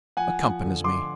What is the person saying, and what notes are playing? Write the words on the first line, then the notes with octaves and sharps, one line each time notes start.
'Accompanies me.
F3 F#5 G#5
F3
D3
D3 C6 D6